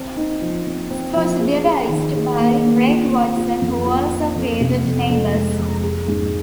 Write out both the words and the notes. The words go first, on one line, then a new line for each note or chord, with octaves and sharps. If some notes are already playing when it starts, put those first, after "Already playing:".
It was devised by Reg Watson who also created "Neighbours".
Already playing: C4
D#4
F3
C4
C4
F3
G#4
G#4
D#3
G#4
A#3
A#3
F4
C4
F4
F2
F4
C4
F2
C3
F2
F2
G#3
F2
G#4
G#2